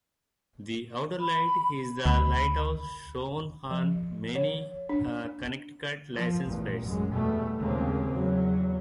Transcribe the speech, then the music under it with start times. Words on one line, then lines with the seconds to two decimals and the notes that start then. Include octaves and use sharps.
The Outer Light is the lighthouse shown on many Connecticut license plates.
1.20 B5
2.06 D2 B5
3.71 F3
4.35 C#5
4.89 D4
6.15 F3
6.45 A1 E2 A#2
6.82 A1 F#2 G#3
7.13 E2 B2 G3 A3
7.59 D#2 C#3 G#3 A#3 C4
8.14 E2 F#3